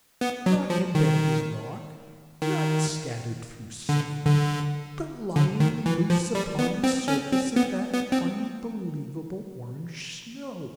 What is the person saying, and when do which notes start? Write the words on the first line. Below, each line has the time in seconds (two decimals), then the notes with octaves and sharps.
Not embedded in rock, not scattered through sand, but lying loose upon the surface of that unbelievable orange snow!
0.21 B3
0.46 F#3
0.70 F3
0.95 D#3
2.42 D#3
3.89 D3
4.26 D3
5.36 D3
5.60 D#3
5.86 E3
6.10 F3
6.35 G3
6.59 B3
6.84 C4
7.08 C#4
7.32 C4
7.56 B3
7.94 B3
8.12 C4